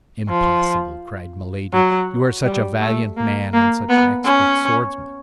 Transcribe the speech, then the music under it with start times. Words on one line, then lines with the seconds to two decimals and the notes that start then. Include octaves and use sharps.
"Impossible!" cried Milady, "you are such a valiant man, and such an expert swordsman."
0.29 F3
1.73 F#3
2.45 G3
2.81 A3
3.17 A#3
3.53 A#3
3.89 B3
4.25 C#4